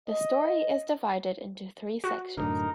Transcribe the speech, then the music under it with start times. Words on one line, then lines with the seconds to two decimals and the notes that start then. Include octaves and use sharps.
The story is divided into three sections.
0.07 D#5
2.04 F#4
2.38 F#2 A2 D3 D#4 A#4